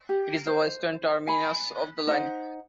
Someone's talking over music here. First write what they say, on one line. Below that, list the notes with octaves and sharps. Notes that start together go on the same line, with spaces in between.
It is the western terminus of the line.
G4
C5
G#5 B5
D#4 C5 F#5